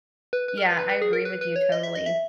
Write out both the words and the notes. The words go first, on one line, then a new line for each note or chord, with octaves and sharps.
Yeah, I agree with you totally.
B4
B4
A#4
B4
B4
B4
G#4
A#4
B4
B4
C#5
D#5
E5
D#5
E5